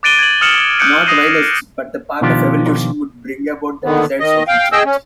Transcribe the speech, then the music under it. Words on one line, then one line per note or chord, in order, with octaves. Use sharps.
Not violence, but the path of evolution, would bring about the desired social change.
D6 F#6 A6 D7 D#7 G7
G#6 F#7
D#6 F6 C#7 E7 F#7
D#6 F#6 G6 C#7 D7
D#6 A#6 C7 D#7
B2 D#3 F3 D4 F4 G4
D3 D#3 B3
D#3 D#5
F5 G5
G#4 D#5 G5 E6
C#4